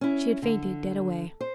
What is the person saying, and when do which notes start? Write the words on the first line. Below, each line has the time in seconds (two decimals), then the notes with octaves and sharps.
She had fainted dead away.
0.01 C#4 E4
0.42 D3
1.41 C5